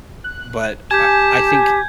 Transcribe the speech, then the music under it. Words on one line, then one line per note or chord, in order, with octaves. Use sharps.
but, I I think,
F#6
G4 G#5 A5 G6 G#6